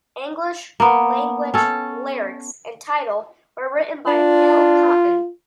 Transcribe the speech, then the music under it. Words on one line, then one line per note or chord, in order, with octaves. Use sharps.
English language lyrics and title were written by Hal Cotten.
A#3 B3
C#4 A4
D4 F4